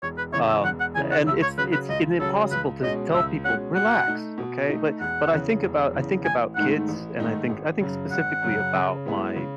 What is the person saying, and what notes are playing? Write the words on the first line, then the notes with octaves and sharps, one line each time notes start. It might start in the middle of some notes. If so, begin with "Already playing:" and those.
Um, and it's it's in impossible to tell people, "Relax. Okay?" But but I think about I think about kids, and I think I think specifically about my,
E1 C#5
B4
E2 C#3 C#5
E5
E1 F#5
F#5
E2 C#3 G#5
F#5
C#2 E5
C#5
C#3 F#3 B4
B4
C#2 D#5
C#3 F#3 A4
C#2 B4
B2 G#3 C#4 D#5
C#2 E5
B2 G#3 C#4 F#5
B2 F#5
A3 D#4
B2
A3 D#4
E1 F#5
E2 C#3
E1
E2 C#3
A1 G#5
G#2 D#3 A3 D#4 F#5
A1
G#2 D#3 A3 D#4
G#1
F#2 C#3
G#1 F#5
F#2 C#3
C#3
G#3 B3 E4
C#3